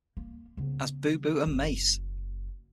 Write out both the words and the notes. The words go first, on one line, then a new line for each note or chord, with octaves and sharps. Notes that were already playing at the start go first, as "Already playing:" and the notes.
As Boo Boo and Mace!
A#3
C#3 B3
F#1 A#3